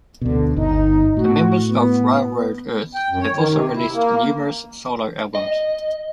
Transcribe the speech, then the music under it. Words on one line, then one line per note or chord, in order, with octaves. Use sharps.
The members of Railroad Earth have also released numerous solo albums.
D2 B2 D3
G1 D#4
A2 F#4
B3
G5
F#2
C#5
D#3
C3
E4
A#3
D#5